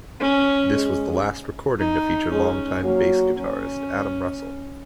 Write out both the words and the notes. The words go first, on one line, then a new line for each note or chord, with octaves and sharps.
This was the last recording to feature long-time bass guitarist, Adam Russell.
C#4
G#3
D#4
G#3 C#4
F#3 A#3
C#4